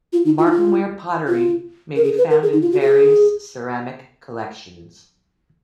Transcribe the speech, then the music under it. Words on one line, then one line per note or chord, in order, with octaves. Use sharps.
Martinware pottery may be found in various ceramic collections.
F4
D#4
F4
D#4
F4
F4
A#4
G#4
B4
A#4
G#4
D#4
F4
F#4
G#4